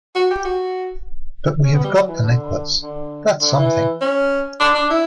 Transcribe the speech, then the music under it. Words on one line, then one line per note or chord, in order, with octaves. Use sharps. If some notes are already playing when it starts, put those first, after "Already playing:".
But we have got the necklace — that's something.
F#4
G4
F#4
C#4
B3
G3
F#3
E3
D3
D3
D3
E3
C#4
D4
D4
E4